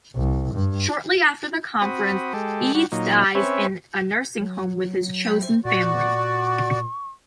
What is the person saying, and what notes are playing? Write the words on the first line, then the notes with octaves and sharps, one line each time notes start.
Shortly after the conference, Eads dies in a nursing home with his chosen family.
C2
G2
C4 F#4 B5 D#6
G#3 G4 A4
G3 F#4
A#2 F#3 D#4
C4 C#4 B4 C#5 E5
F#3
A#2 F#4 D5 C#6